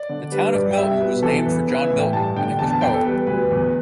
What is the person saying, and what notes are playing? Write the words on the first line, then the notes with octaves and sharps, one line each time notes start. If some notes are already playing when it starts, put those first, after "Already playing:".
The town of Milton was named for John Milton, an English poet.
Already playing: D5
D3
G3 B4
G2 D5
G5
G3 E5
B2 B4
E3 A4
E2 B4
E3 B4
E5
A2
G5
G2 A5
D3 G5
E2 A5
A5
E2 G5
A4
G3 B4
D2 B4
E2